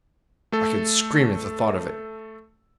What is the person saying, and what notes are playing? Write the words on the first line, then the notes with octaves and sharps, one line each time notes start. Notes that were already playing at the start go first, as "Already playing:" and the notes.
I could scream at the thought of it.
A3 A4